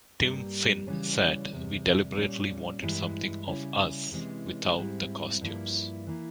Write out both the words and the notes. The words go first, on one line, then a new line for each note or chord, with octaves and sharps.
Tim Finn said, We deliberately wanted something of us without the costumes.
G2 G3 A#3
C#3 E3 G3 C#4
E2 C3 G3
A#2 G3 C#4
G2 E3 G#3 E4
C#3 G3 C#4 E4
C3 E3 G#3 C#4
G#2 G3 C4 E4
G2 F3 A#3 E4
E3 A#3 E4